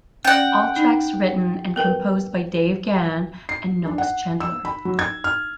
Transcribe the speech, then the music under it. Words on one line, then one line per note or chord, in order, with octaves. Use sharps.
All tracks written and composed by Dave Gahan and Knox Chandler.
C#4 D5 F#5 G5
D#4
B3 A#4 B4
C7
D4
F#5
E6
B5
F#3
G#6
F6